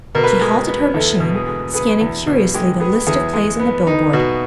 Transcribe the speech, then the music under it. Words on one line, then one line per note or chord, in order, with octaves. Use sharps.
She halted her machine, scanning curiously the list of plays on the billboard.
B2 A#4
B4
A#4
G#3
B3
E2 A4
B2
G#4
G#3
B3 G#4
E2
B2
G#3 G4
B3 G#4
E2 G#4
G#3
B3
D#4
B2 F#4